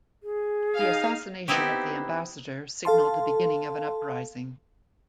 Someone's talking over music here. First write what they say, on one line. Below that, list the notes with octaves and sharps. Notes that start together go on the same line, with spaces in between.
The assassination of the ambassador signaled the beginning of an uprising.
G#4
D#4 F5
B3 C4 D#4 E4 G4
A4 F5 A5 C6